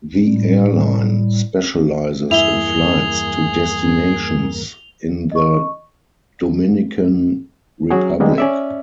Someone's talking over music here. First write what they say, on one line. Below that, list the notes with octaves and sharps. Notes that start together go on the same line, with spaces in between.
The airline specializes in flights to destinations in the Dominican Republic.
A2 G3
E2 G2 A#3 E4 G#4 F7 G7
D#5 C#6
F#3 C#4 F#4 G#4
D#3 G3 G#3 A#3 B3
C#4 D5 E5